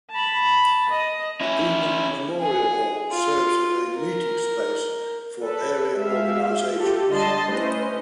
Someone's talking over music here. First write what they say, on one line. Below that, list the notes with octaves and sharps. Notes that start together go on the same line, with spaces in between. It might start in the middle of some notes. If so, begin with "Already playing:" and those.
The Beaman Memorial Hall serves as a meeting space for area organizations.
A5 B5
D#5
C#4 E4
G#4
F4
A#4
A4 B4
G#3 G4 E5 F5
F4 G4 A4
D3 G3 D#5 A5 C6
A3 C#4 E4 B4 C5 D#5